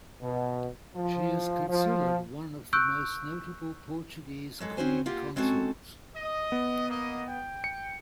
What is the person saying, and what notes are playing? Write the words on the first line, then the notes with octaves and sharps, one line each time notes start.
She is considered one of the most notable Portuguese queen consorts.
B2
F3
F3
C#6 E6 F#6 G6 D7
F#3 G#3 A4
C4 C#4 F#4 C5 G#5
A#3 F4 G4 F#5
G#3 C4 C#4 F#4 A4
D#5
B3
A#3 D#5
G5
C#7